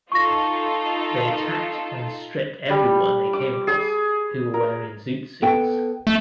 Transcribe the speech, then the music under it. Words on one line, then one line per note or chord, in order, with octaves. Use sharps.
They attacked and stripped everyone they came across who were wearing zoot suits.
D#4 F4 A4 C#6 A#6
G3
D6
G#4
A#4
B3 A4 G5
A3